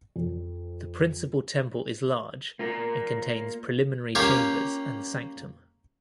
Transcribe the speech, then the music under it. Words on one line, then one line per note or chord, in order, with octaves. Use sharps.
The principal temple is large and contains preliminary chambers and sanctum.
F2
A#3 F4 A#4
A#3 C#4 F4 G4 C#5 G5